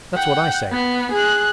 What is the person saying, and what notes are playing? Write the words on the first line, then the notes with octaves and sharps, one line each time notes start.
'That's what I say.
F#5 G5
B3
G#4 F#6